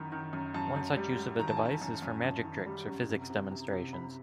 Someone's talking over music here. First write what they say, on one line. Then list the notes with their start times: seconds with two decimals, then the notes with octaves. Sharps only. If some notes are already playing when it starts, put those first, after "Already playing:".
One use of such a device is for magic tricks or physics demonstrations.
Already playing: F#2 D#3 B5
0.12 D#3
0.33 F#2
0.54 F#2 A5
0.76 F#2
0.97 G3
1.18 G3
1.39 D#3 A#5
1.48 A5
1.57 G#5
1.61 D#3 A5
1.82 F#2
2.02 F#2
2.24 F#2 A5
2.45 D#3
2.66 G3
2.87 F#2
3.09 C3
3.30 C3
3.51 C3
3.72 C3
3.93 C3 B5